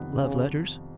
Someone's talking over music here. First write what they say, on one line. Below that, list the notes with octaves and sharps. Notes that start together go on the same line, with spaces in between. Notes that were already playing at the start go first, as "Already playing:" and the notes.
"Love letters."
Already playing: F2 C3 D#3 G3 B3
C#3